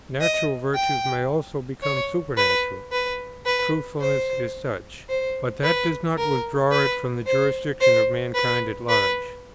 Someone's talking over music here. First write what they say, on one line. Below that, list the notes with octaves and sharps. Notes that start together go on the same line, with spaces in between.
Natural virtues may also become supernatural; Truthfulness is such; but that does not withdraw it from the jurisdiction of mankind at large.
D#5
G5
C#5
B4
B4
B4
C5
C5
B4
A#4
B4
C5
C5
B4
B4